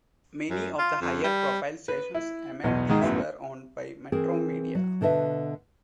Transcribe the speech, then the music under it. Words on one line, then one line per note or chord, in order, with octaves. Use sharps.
Many of the higher-profile stations among these were owned by Metromedia.
F#2
F4
F2
G3
B4
E4
B1 E2 B3 D#5
G#2 D#3 G#3 D#4
A1 F#2 B3 E5
E3 C4 G#4 A#4
F#3
B2 D3 B4 D#5 E5